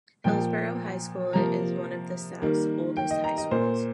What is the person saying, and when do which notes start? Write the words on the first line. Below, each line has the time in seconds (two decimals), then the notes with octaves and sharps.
Hillsborough High School is one of the South's oldest high schools.
0.24 A#2 F3 A#3 G5
1.33 C3 F3 A#3 A#5
2.42 D#3 G3 A#3
2.97 G5
3.11 D#5
3.24 A#5
3.38 D#5
3.51 A#2 A#3 C5